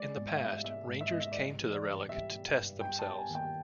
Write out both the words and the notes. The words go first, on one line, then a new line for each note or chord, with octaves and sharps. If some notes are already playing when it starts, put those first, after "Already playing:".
In the past, Rangers came to the Relic to test themselves.
Already playing: G#3 D5
G#2
E5
F5
G#3 E5
G#3 E5
G#2
E5
G#2 D#5
E5
D5
G3 D#5
E3
D5
G3
G3 E5
G3
G2
G3 G5
A5
G3
G#5
D#2
G5